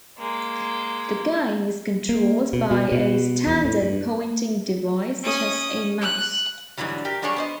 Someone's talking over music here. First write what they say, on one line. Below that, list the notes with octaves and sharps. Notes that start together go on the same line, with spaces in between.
The game is controlled by a standard pointing device such as a mouse.
G#3 A#3
A#3
B2
B2
B2
E2
A2
G2
C#4 D#6
F#6
G#2 B2 D3 E3 F#3 G3
G4 A#4
F#3 G3 D4 G#4 C#5 D5
B3 C5 D#5